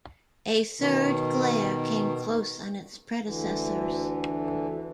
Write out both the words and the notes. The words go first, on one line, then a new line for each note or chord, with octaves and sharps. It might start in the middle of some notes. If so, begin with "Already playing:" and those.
A third glare came close on its predecessors.
B2 D#3
D2 D3 E3